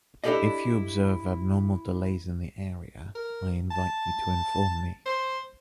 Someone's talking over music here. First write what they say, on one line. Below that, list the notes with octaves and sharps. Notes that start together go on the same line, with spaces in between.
If you observe abnormal delays in the area, I invite you to inform me.
D4 E4 G4 A4 D5 D#5
A#4
A5
C5